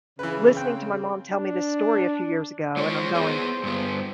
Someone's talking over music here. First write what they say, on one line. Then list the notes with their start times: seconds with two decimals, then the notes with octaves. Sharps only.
listening to my mom tell me this story a few years ago, and I'm going
0.19 C#3 E3 B4
0.57 C4 G5
1.31 D4
2.77 G#3 F4 C5 C#5
3.15 B3 G#4
3.64 G2 B3